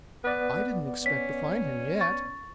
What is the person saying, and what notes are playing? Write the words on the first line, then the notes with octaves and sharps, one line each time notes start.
I didn't expect to find him yet.
B3 B4 D5
C#4 B6
C#6 A6